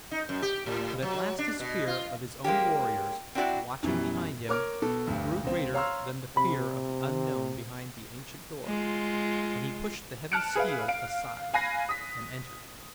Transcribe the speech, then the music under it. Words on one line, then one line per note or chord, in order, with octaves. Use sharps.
But at last his fear of his own warriors, watching behind him, grew greater than the fear of the unknown behind the ancient door and he pushed the heavy skeel aside and entered.
D#4
F#2
G4
A2
F#3
D4
B2
F4
G#3 A#3 C#4 G4
C4 D4 E4 F#4 D5
F#2 B2 E3 G3
A#4 C#5 D6 F6
B2 A4
D2 G2
C#2 C4
C#5 F5 A#5 C6 E6 F6
C3 B5
G#3 F4
A5 F6 F#6 C#7 D7
G#4 B4 E5 F5
F5 D7
F5 G#5 B5 F#6 A#6 C7
D#6 B6